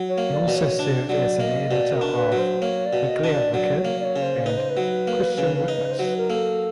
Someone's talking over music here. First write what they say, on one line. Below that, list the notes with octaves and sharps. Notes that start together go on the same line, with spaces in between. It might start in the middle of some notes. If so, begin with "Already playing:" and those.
He also served as an editor of "Weekly Advocate" and "Christian Witness".
Already playing: F#3
C#5
A#3
D5
B2
C#5
D4
F#3 D5
A#3 D#5
B2 D5
A#4
D4
B4
F#3
C5
A#3 C#5
D5
B2
D#5
D4
D5
F#3 D5
C#5
A#3
D5
C#5
C#3
C5
D#4 B4
C5
B4
F#3
A#3
C#3
D#4
C5
F#3
B4
A#4
A#3 A4